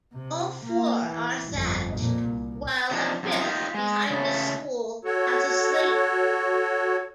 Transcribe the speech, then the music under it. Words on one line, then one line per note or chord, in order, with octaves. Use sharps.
All four are thatched, while a fifth behind the school has a slate roof.
C3
A#3
E3
G1 F2
F2 A#2
C2
C3 F3 D4 D#4
F#2 C3 F3
D#4 F4 G4 F5
G#3
C#3 A3
F#4 A4 C#5